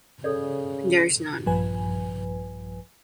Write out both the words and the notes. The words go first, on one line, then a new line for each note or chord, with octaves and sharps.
There is none.
C#3 A4 C#5 D5
A#1 G2 F3 B4 G#5